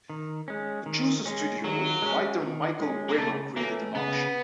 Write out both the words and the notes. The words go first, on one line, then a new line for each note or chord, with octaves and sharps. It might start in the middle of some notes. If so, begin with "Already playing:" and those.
To choose a studio, writer Michael Wimer created an auction.
D#3
G#3 C#4
D#3
G#3 C#4
D#3 F#3
G#3 C#4
D#3
G#3 C#4
A#3
C#3 A3
E3 A3 A#3 C#4
C#3 B3